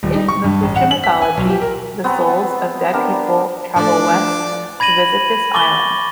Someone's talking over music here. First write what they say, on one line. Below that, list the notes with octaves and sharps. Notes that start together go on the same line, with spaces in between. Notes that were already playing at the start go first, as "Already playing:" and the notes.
In Mapuche mythology, the souls of dead people travel west to visit this island.
D#1
D#4
C#6
G2
A1
F#5
F#7
B6
G#5
B1
G4
A#4
B3 C4 F#4 A#5
B3 D4 G4 A#4
F3 A3 D4 D5
B5 G#6 A#6 D#7 F#7
C#6 D6 A6 G7